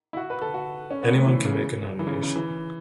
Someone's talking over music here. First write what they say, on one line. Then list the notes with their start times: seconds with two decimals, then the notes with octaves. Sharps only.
Anyone can make a nomination.
0.13 E4
0.17 F#4
0.30 B4
0.42 A4
0.54 F#4
0.91 C#4
1.03 B3
1.15 A3
1.26 E3
1.45 C#3
1.99 E3
2.07 C#3
2.23 C#3
2.36 E3